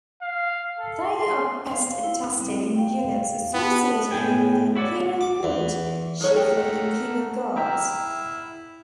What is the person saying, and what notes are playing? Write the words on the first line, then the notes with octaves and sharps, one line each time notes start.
They are best attested in units associated with the imperial court, chiefly imperial guards.
F5
A4
C6
F5
E4
G3 C4
F5 G5
B3 G5 A5
A2 B3 G#4 G5 G#5
E4 F#4 C#5 D5
D6
E2
A3 G#4 A#4 B4 C#5 F#5
A4 G5
E4 E5 G5 A#5 F6